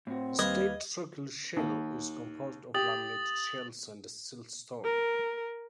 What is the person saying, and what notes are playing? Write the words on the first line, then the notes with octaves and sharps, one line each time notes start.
The State Circle Shale is composed of laminated shales and siltstone.
A2 C4 F#4
D#2 G3 B4 D#5 F5 G#6
D#2
G4 D#6 A6 F#7
A#4